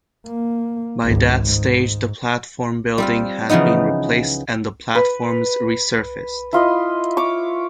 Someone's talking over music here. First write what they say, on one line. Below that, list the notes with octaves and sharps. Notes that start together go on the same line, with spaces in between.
By that stage, the platform building had been replaced and the platforms resurfaced.
A#3
G#1 C#2
G#2
G3 C4 F4
C#3 E3 F3 B3 D#4
B4
E4 F4 D#5
C#5 D6